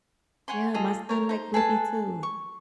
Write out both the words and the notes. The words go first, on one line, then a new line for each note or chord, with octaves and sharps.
Yeah, my son like Blippi too.
C#5 F#5 G#5 C6
F4 G#4 A4 D#5
A#4 C#5
D#4 C5
G#4 A4 B4 A5
C#6